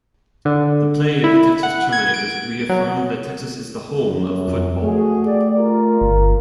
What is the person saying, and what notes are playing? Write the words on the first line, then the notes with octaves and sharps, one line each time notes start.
The play of the Texas Terminators reaffirmed that Texas is the home of football.
D3
E4
F#5
G#6
D7
F#3
F#2
F2
A3 F#4 G#4
G4 D5
F4 A#4
G1